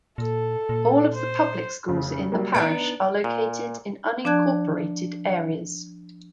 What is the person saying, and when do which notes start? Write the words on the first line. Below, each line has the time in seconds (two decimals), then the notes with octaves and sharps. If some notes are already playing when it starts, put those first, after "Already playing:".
All of the public schools in the parish are located in unincorporated areas.
0.18 A#2 A4
0.69 A#2
1.14 C5
1.88 F1 C#3
2.32 F#3 G3 A#3
2.55 B3 D4 D#4 D7
3.24 A#2
4.25 F3 D4 D5 A5 F#6 G#6